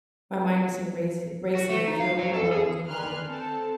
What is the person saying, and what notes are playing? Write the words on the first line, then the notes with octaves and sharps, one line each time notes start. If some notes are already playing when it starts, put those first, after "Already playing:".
my mind isn't raci racing, I feel a lot more calm.
F#4
A3
D#4
F5
F#3
A4
G#4
B4 D5 G#5 C6 F6 F#6
C4 A4 A5